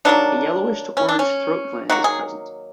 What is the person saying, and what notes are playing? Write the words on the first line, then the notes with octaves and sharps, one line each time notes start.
A yellowish to orange throat gland is present.
D#3 F#3 A#3 D4
C#4
D4
C#4
D#3 F#3 A#3 F#4
G#4